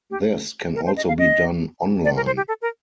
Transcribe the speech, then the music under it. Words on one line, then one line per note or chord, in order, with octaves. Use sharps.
This can also be done online.
G4
A#4
C5
D#5
F5
D#5
D5
A#4
C5
G4
A4
A#4